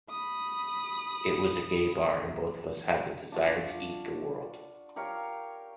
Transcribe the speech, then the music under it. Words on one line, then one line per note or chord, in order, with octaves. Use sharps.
It was a gay bar and both of us had the desire to eat the world.
B5 D#6
D4 F4 F#4
G4 A#4 C#5 F5